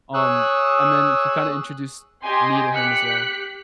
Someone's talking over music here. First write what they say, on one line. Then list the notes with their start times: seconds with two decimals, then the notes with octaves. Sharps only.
um, and then he kinda introduced me to him as well.
0.14 G#4 C#5 D#6 E6 F#6
2.23 G4 D#5 G#5 C6
2.72 G4 F#6 B6 C#7